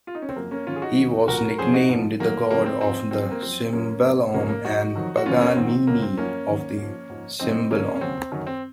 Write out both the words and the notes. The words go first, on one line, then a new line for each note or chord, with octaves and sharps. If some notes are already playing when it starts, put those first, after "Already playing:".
He was nicknamed "the God of the Cimbalom" and "Paganini of the cimbalom".
F4
D#4
C#4
C4
F#2 F3 A#3
A#3 C#4
G#2 D#3 F#3 C#4 F4
G#4
D#4 F#4
D#2 D#3 F#3
C2 A#2 F3 F#4 A#4
F2 C#3 F#3 G#4 C5
D#4 F#4
G#2 F3
F#2 D#3 F#3 A#3
F#2 C#3 F3 A#3
C4
G#2 F3 C4
F#2 F3 C4
A#3
F#2 F3 C4
F#2 F3 A#3 C#4
G#2 F#3
C2 C3 F3 A#3 C#4
A#3
G#2 F#3 D#4 F#4
F2 D#3 F#3
F#4
D#2 C#3 F#3 C#4 F4
A#3 C#4
G#2 D#3 F#3 C4
C#2 C#3 F#3 A#3
C4
F#2 F3 A#3 C#4
D#2 D#3 F#3
G#2 F3
G#2 F3
F#2 C#3 F#3 C4 D#4
D#2 C#3 F3 A#3 C#4
C#4
D#2 C#3 F#3 C4
F#2 D#3 F#3
C4